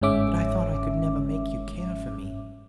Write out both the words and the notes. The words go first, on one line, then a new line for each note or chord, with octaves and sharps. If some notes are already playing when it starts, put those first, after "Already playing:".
But I thought I could never make you care for me.
G1 G#2 G#3 C#4 E5 D6